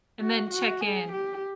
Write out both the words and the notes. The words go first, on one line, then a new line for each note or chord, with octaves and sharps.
And then check-in.
F#4
F#4
G#4
G4